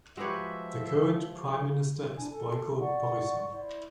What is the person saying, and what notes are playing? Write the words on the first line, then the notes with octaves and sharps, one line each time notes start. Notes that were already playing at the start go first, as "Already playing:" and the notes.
The current Prime Minister is Boyko Borisov.
F3 G#3 F#4 G4 B4 C#5 E5
D4 E4 G#5
A4
D5 F#5 C#6
E4 C5 D5